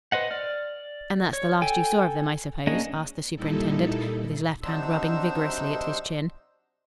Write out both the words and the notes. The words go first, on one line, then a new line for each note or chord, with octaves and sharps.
"And that's the last you saw of them, I suppose?" asked the superintendent, with his left hand rubbing vigorously at his chin.
B4 C5 D#5 F#5
D5 F6
C#5
A4 G5 G#5
A#3 C#4 D4 G#4 D#5
A#2 G3 D#4 E4 A4
C3 F#3 D4 D#4 C5 E6